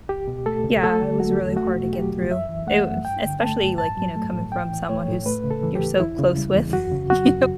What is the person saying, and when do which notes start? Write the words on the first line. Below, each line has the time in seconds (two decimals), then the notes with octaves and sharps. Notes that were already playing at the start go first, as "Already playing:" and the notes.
Yeah, it was really hard to get through. It Especially, like, you know, coming from someone who's you're so close with you
0.09 C#2 G4
0.28 B2
0.46 A3 A4
0.64 C#2
0.83 A3 A4
1.02 D3
1.20 F#3 F#4
1.39 E2
1.56 A3 F#4
1.76 B2
1.93 F#3 G4
2.12 C#2
2.30 F#2 E5
2.49 E3
2.67 A3 F#5
2.86 F#2
3.05 G2 G5
3.23 D3
3.41 A3 A5
3.60 G2
3.78 A2 A5
3.97 F#3
4.16 A3
4.34 A2
4.52 A2 G5
4.71 E3
4.89 A3 C#5
5.08 A2
5.26 A3 B4
5.44 C#3
5.51 A4
5.63 E3
5.75 G4
5.81 D2
6.00 E2 E4
6.19 C#3
6.37 G3
6.56 E2
6.73 F#2 F#4
6.92 C#3
7.10 F#3 F#4
7.29 F#2